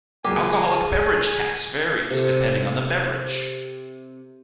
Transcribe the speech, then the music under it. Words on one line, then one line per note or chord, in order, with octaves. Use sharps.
Alcoholic beverage tax varies depending on the beverage.
C#2 F#3 A#3 G4 G#4 G#5
C3 A4